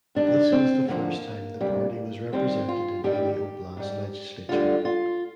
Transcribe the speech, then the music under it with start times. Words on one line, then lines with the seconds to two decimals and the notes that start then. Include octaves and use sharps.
This was the first time the party was represented in any oblast legislature.
0.15 G2 D#3 G3 D4
0.52 C4
0.88 F2 D3 F3 A#3
1.60 D2 C3 G3
2.32 D#2 D#3 G3 C4
2.69 F4
3.04 G2 D#3 G3 G4
3.77 G#2 G3
4.49 D2 D3 G3 F4
4.85 F4